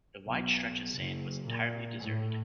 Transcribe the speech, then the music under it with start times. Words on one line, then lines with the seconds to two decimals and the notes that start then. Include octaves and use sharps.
The wide stretch of sand was entirely deserted.
0.27 B1
0.92 F#1
1.45 A#2
2.01 A2